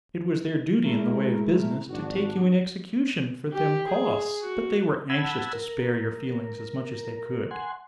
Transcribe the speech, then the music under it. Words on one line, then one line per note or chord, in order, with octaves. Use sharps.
It was their duty in the way of business, to take you in execution for them costs; but they were anxious to spare your feelings as much as they could.
E3
G#3 A3 E4 A#4
G#1 D4 F#4
G4
G#4
F#4
F#5 A5 B5 E6 G#6
A#4
F#5 G#5 C6